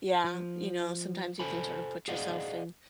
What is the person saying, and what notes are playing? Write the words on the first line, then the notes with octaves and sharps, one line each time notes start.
Yeah, you know, sometimes you can sort of put yourself in
F3
A4 C5 G#5 A5 B5
G#4 D5 D#5 F5 F#5